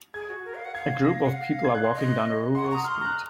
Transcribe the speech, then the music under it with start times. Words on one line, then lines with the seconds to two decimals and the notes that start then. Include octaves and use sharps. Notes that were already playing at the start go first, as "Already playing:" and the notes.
A group of people are walking down a rural street.
0.14 G#4 G#6
0.29 F#4
0.45 A#4
0.55 F5
0.65 F#5
0.75 F5 G#6
1.05 A#6
1.24 F#5
1.34 F5
1.64 G#6
1.74 F#6
1.84 C6
1.95 D#5
2.55 F#5 C6
2.65 C#6
2.70 A#5 D#6
2.84 C6 F6
2.95 F6
3.00 A#5 F#6